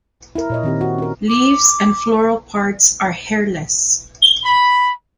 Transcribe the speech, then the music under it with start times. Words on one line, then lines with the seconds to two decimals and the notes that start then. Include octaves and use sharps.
Leaves and floral parts are hairless.
0.35 E4 A#4
0.50 A#2 C#5 D#5
0.63 D#3 C4 G4
0.81 F#4
0.98 C#4 A#4
1.29 D6
4.44 B5